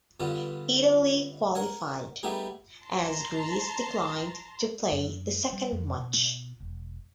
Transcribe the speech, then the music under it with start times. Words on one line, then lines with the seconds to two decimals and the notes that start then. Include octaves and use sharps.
Italy qualified, as Greece declined to play the second match.
0.20 G2 D3 B3 F4
1.55 A#4 F#5 G#5
2.23 G3 A3 B3 D#4 G#4
2.83 A5 A#5 C6
4.92 F#2
5.53 G3
5.72 F2
5.98 B2
6.60 E1